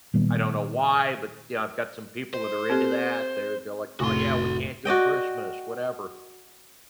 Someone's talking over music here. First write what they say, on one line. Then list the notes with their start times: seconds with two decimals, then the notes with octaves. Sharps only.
I don't know why, but, you know, I've got some people that are into that, they're they're like, "Oh yeah, we can't do Christmas," whatever,
0.14 A#2 D#3 G3 B3
2.34 C5
2.70 C4 G4 A4
4.00 F1 A2 F#4 C6
4.85 F#4 D5 D#5 G5